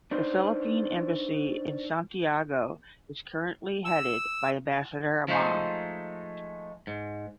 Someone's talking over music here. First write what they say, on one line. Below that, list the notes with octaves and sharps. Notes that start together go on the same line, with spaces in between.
The Philippine Embassy in Santiago is currently headed by Ambassador Ma.
D4 D#4 B4 C5
E6
F3 G#3 A3 D#4 C5
G#2